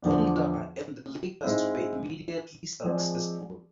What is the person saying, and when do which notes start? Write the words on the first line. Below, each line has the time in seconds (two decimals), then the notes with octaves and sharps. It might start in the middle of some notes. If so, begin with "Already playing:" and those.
Kundla and the Lakers were immediately successful.
0.02 E2 D3 F3 B3 D4
1.43 G#2 G#3 C4 E4
2.84 F3 G#3 C4 G#4 D5